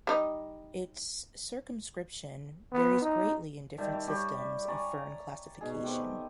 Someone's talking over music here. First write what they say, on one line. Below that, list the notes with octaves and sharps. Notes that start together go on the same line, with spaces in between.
Its circumscription varies greatly in different systems of fern classification.
G3 D#4 D#5
B3
D#4
D#3 G3 E5 A5
D6
G3 G4 C#5 B5
D5 G#5 A#5 C#6
B2 D#4 G#4
A3 B3 C4 G4